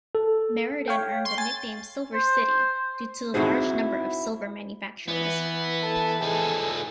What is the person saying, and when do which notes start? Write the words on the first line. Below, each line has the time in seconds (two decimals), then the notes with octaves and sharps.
Meriden earned the nickname "Silver City", due to the large number of silver manufacturers.
0.15 A4
0.88 C#5 F5 G5
1.25 C6
1.38 G#5 A6
2.14 C5
3.34 C4 D#4 E4 F#4 G#4 C5
5.08 E3 B3
5.82 A4 A5
6.23 F3 D#4 G#4 A4